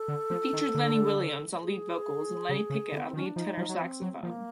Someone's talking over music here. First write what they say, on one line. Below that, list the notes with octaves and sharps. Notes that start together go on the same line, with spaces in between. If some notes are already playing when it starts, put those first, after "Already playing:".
It featured Lenny Williams on lead vocals and Lenny Pickett on lead tenor saxophone.
Already playing: A4
D3
F3
D#3
D3
G#4
C#3
C#3
D3
B3
C4
D#3 C#4
D4
F3 D#4
F3
F#3
F3 C4
F#3
F3 A#3